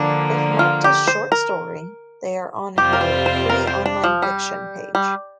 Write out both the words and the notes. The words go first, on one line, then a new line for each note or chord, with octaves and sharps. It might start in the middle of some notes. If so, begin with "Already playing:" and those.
If marked as "Short story", they are on her "Free Online Fiction" page.
Already playing: D3 F3 A#3 D4
F4
G4
C5
A#4
F2 C3 G3 C4 F4 G4
A#4
C5
C5
A#4
C5
D4
F3
G3
G3